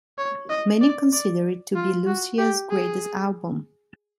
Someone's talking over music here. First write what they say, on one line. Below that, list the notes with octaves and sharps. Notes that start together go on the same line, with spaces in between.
Many consider it to be Lussier's greatest album.
C#5
D#5
D5
D5
F4
F#4
G4
G#4